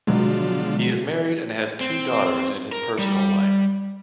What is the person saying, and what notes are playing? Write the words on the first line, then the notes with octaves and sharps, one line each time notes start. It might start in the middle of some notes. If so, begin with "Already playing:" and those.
He is married and has two daughters in his personal life.
B2 D3 F3 F#3 G#3
C4
A#4
G3